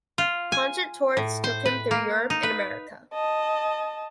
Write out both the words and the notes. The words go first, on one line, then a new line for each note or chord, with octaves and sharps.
Concert tours took him through Europe and America.
F4
G#5
A2
C5
B4
A#3
D#4
B4
D#5 A5